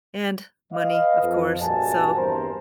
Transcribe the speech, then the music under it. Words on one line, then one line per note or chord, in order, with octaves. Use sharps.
and money, of course, so.
B4 D#5 F5
F2
A#1 G2 F#4 G#5 A5
E2 G2 C4 A#4 C5